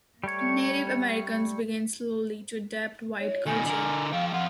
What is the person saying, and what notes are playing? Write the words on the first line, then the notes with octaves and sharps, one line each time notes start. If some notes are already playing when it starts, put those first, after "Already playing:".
Native Americans began slowly to adopt white culture.
G3 A3 C#5
C#5
B2 D#3 G#5
D3 A#4
F3 F5 G5
F2 F4 F#5